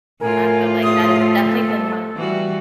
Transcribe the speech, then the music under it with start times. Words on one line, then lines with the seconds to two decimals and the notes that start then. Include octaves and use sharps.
I feel like that has definitely been my
0.21 A2 F4 A#4 G#5
0.83 E2 C3 D#6
1.20 F3 A3 A4
2.16 E3 G3 F#4